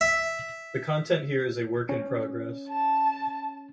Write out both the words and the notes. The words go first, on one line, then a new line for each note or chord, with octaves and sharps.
The content here is a work in progress.
E5
C#4
A5